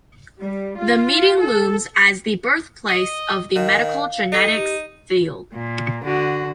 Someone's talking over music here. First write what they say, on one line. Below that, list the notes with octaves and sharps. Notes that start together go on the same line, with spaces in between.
The meeting looms as the birthplace of the medical genetics field.
G3
F4
A4
D#5
D#3 F5
D#4 A4
G4
A#2
D3 F#4